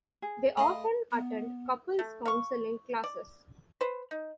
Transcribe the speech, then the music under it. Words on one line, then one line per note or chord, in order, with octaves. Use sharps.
They often attend couples-counselling classes.
G#4
A3 D#5 F5 B5
B3
A3
F5 C#6
D5
B4 C5
D#4